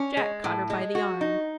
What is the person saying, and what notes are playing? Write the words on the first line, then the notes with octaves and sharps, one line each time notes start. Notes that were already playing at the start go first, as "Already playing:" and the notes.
Jack caught her by the arm.
Already playing: C#4
G#3
A2
G#3
F#4
D#4